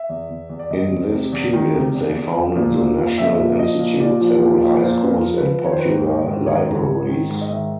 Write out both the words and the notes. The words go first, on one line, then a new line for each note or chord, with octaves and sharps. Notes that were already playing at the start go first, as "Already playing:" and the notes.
In this period, they founded the National Institute, several high schools and popular libraries.
Already playing: E5
E2
E2
E2
D5
E2 D#5
E2
C3
E2
D#3
C3
E2
E2
F3
A#2
A#2
A#2
F3 E5
D#5
A#2 E5
F3 D#5
A#2
A#2 D5
F3
A#2
F3
A#2 C5
F3 B4
A#4
F3
B4
F3
D#3 C#5
C5
B4
G#2 C5
D#3
G#2
D#3 C#5
G#2
G#2
D#3
G#2
D#5
D#3 E5